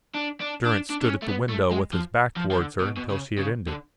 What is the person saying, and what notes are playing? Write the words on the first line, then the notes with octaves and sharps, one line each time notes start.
Durrance stood at the window with his back towards her until she had ended.
D4
D4
D4
D4
D4
C#4
A3
B3
A3
G#3
F3
F3
F3
D3
B2
B2
C#3
C#3
D3